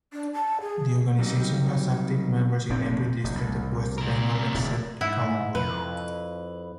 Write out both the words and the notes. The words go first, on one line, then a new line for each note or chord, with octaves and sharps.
The organisation has active members in every district of West Bengal except Kalimpong.
D4
A5
G#4
F#3 G3 A#3 C4 D#4
F1 C3 C4
F1
C2
C3 A#4
D1 A2
G#2 E4 F#5
F2 B4